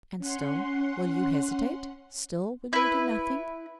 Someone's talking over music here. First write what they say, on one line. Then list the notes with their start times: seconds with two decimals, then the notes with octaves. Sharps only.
And still will you hesitate; still will you do nothing?
0.18 C#4 F#5 C6
2.73 E4 B4